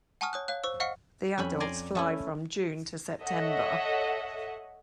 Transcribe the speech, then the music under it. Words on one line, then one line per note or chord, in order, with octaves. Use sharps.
The adults fly from June to September.
F#5 G#5 A5 C#6 D#6 F6
C#5 D#6 F#6
C#5 F5 F#6
C5 C#6 E6
D#5 F5 F#5 C#6 F6 C#7
F2 C#4 B5
D5 G#5 A#5 C6
A3 C#4 E4
A4 C#5 D#5 E5 F#5